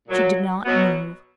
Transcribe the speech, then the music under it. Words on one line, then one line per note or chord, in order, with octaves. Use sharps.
She did not move.
A#2 F#3
B2 F#3 B3